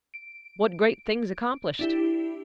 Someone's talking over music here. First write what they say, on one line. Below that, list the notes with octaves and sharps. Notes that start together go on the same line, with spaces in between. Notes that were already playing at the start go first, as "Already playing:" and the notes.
What great things accomplished!
D7
D4 E4 G4